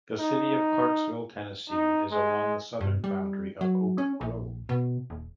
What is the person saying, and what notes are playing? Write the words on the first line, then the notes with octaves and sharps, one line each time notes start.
The city of Clarksville, Tennessee, is along the southern boundary of Oak Grove.
D#4
D#4
G#3
G2
G3
F#3
C#4
A#1
B2
D#1